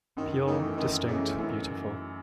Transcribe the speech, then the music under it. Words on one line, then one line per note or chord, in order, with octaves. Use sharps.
Pure, distinct, beautiful.
F#2 D#3
D#3 E3 A3 D#4
F#2 D#3
C#3 E3 A3 D#4
F#2 A2